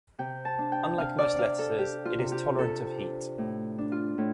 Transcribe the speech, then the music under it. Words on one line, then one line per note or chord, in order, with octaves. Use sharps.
Unlike most lettuces, it is tolerant of heat.
C3 G5
A5
D4
G5
C3 F5
D5
C3 F5
A4
D4 G4
F4
C3
G4
C3 A4
D4
A2
D4
F4
A2